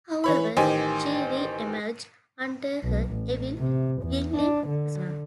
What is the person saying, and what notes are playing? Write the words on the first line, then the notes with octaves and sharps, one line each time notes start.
However, she re-emerged under her evil Yinling persona.
E3 C#5 B5
A1 D#3 G4 C5 G#5
B1
A1
C3
E2
D4
D3